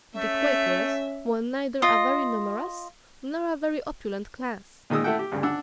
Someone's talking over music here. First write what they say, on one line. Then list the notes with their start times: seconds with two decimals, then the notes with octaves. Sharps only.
The Quakers were neither a very numerous nor a very opulent class.
0.16 A3 C#4 E5
1.82 F4 D#5
4.90 A#2 D#3 G#3 D#6 E6
5.04 A3 E4 A4 E5 F#5 G5
5.19 G4
5.32 D2 G2 C#3
5.43 D4 F#5 E6